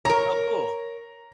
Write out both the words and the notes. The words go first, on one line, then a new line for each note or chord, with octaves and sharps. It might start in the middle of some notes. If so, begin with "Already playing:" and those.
Oh, cool.
A#4 C#5 A#5